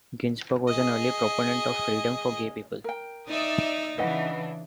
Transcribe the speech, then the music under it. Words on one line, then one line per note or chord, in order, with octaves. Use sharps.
Ginsberg was an early proponent of freedom for gay people.
G#4 D#5
A#4 G5
D#4 D5 E5 D#6
C#3 E3 D4 B4 D#5 F#5